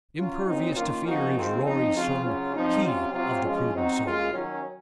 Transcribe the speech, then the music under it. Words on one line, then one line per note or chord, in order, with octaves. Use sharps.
Impervious to fear is Rory's son: he of the prudent soul.
F#3 C#4 F4
A#2 F#3 C4 D#4
D#3 A#3 C#4 F4
A#2 F3 C4 D#4 F#4
D#3 G#3 C4 F4
F3 C4 D#4
C#3 F3 C4 F4
C#3 F#3 C#4 F4
F3 C4 D#4
C3 F#3 C#4 F4
C3 F#3 C4 F4
F3 G#3 C#4 F4
F#3 C4 D#4 F#4
A#2 G#3 C#4 F4
D#3 F#3 C#4